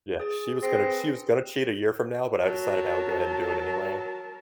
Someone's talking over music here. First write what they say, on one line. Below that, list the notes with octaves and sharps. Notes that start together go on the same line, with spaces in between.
Yeah, "She was gonna she was gonna cheat a year from now, but I decided I would go ahead and do it anyway.
G#4 A6
C4 G#4 A#6
B4
F#3 A#4 A5